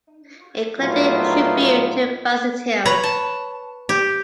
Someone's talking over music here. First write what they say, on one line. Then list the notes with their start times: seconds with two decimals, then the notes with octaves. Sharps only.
He collected tribute to Byzantium.
0.79 A#1 A2 F#3 B3 D#4 F4
2.85 B4 C#5 A#5
3.03 A5
3.89 G4